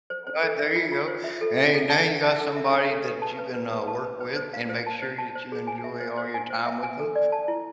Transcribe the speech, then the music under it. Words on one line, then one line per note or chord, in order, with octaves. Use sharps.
Alright, there you go. And hey, now you got somebody that you can, uh, work with, and make sure that you enjoy all your time with 'em,
C5
C5
A4
E5
F4
F4
C5
E5
A4
E5
A4
A5
E5
A5
A4
E5
D4
A4
B4
A5
B4
B4
B4
A5
B4
B4
C5
F5
C5
A5
C5
A5
C5
G#4
G#5
E5
C5
C5
G#5
C5
E5
G#5
A4
D5
A5
E4